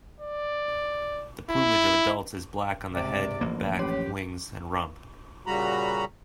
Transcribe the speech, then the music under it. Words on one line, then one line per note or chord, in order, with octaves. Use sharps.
The plumage of adults is black on the head, back, wings and rump.
D5
E4
C#2 G#2 C3 C4 D5
A1 F#2 D3 F3 A#3
C#4 G4 C#5
A#2 C#3 G3 F#4 A#5 B5